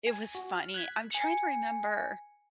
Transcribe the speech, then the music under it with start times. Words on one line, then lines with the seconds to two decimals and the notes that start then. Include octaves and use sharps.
It was funny. I'm trying to remember
0.07 G#5
0.35 F#4
0.53 F6
0.74 F#6 G#6 B6
1.11 G#5 C#7